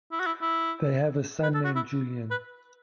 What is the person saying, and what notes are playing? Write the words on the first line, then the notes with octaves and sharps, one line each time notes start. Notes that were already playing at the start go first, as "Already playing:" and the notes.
They have a son named Julian.
E4
F#4
E4
E4
B4
A4
F#4
E4
B4